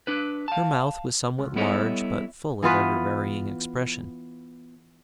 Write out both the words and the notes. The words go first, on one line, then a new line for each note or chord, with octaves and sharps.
Her mouth was somewhat large, but full of ever-varying expression.
D4 B4
F5 A5
C#2
G3 B3 E4 A4 C#5 D#5
E3 B3 F4 B4